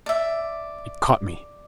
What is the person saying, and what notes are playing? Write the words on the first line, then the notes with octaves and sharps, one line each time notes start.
It caught me.
D5 E5